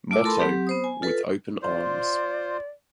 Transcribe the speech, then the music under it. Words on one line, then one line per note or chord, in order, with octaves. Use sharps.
Motto: With Open Arms.
A3 E4 F4 D6 E6
A4 A#4 A5 B5 C6
F#3 C4 G4
B3 C5 D#6
G#5
F4 A4 B4
F4 C5 D5